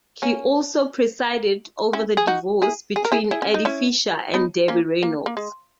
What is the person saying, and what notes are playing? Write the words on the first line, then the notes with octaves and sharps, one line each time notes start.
He also presided over the divorce between Eddie Fisher and Debbie Reynolds.
A#3 C#4
C#4 E4
G#4
D#4 F#4
E4 G#4
G#4
A#4
E4 G#4
E4 G#4
C#4
D#4
C#4 E4
B3 D#4
A#3 C#4
A#3
A#3
G#3